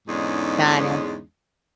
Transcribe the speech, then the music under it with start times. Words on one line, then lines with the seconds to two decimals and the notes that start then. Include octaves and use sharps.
Got it.
0.08 E2 G#2 D3 G#3 C#4 D#4